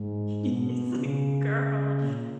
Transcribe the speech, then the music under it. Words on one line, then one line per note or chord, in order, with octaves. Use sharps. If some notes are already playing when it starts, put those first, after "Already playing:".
he's like, "Girl,
Already playing: G#2
B2
C#3
A#2